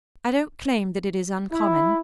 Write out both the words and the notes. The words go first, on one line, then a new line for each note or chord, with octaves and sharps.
I don't claim that it is uncommon.
E4